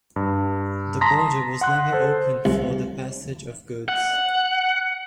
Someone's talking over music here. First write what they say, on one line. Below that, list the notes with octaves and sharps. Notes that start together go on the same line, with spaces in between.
The border was never opened for the passage of goods.
G2
A5 A#5 C6 D#6 A#6 B6
F#5 C6 F#6
A4 C5
C2
F#5